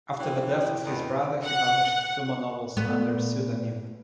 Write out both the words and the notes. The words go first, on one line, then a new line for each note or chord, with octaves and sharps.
After the death of his brother, he published two more novels under a pseudonym.
A2 C3 E3 F3 E4 G5
E2 B2 G#3
F#5
A#2 A3 B3